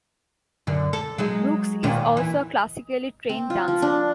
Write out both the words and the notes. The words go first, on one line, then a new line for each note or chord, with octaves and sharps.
Brooks is also a classically trained dancer.
F#2 D3
A4
F#3 G#3 D#4
D#2 A#2 D#3
E3
C4
F4
F3
D4